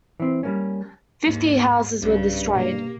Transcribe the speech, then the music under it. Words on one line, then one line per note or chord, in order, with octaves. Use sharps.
Fifty houses were destroyed.
E3 C4
G3 A#3 C#4
D#2 G#2
B1 G2 C#3
B2 A#3 G4